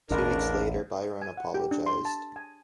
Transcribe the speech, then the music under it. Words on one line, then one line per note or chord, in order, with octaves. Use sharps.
Two weeks later, Biron apologized.
A1 D#2 C#3 D4 A#4
G#5
F#5
G4
D4
C6
A5
G#5